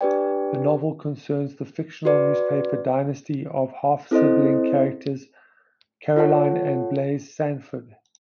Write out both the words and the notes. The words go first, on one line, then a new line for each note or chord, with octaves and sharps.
The novel concerns the fictional newspaper dynasty of half-sibling characters Caroline and Blaise Sanford.
D4 G4 B4 D5 G5
F#4 B4 D5
C4 E4 A4 C5 D#5
F4 A4 C#5 F#5 A5